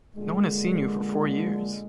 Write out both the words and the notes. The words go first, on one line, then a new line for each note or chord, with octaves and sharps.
No one has seen you for four years.
A#2 D3 G#3